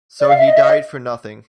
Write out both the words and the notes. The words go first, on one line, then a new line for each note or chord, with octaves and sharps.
So he died for nothing.
D5
F5
E5
D#5
E5
D#5